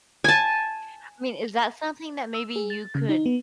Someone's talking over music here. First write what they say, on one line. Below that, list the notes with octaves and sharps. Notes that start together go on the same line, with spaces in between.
I mean, is that something that maybe you could
G#5 A5
E6
G#4
A6
C#3
D#4
B3